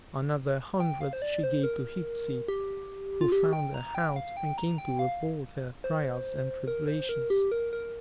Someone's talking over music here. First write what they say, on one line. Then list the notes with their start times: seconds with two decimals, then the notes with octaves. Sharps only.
Another hundred she gave to Hepsey, who found her out and came to report her trials and tribulations.
0.80 G5
1.01 F5
1.13 C5
1.22 D5
1.44 C5
1.63 A#4
2.48 G4
3.21 F4
3.32 G4
3.53 G5
3.74 A#5
3.95 G5
4.16 F5
4.37 G5
4.58 A#5
4.78 G5
4.99 F5
5.84 C5
6.68 A#4
6.88 C5
7.09 A#4
7.30 G4
7.52 A#4
7.73 A#4